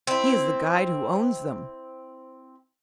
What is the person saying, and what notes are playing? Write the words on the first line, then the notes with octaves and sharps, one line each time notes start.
'He is the guide who owns them.'
C4 E4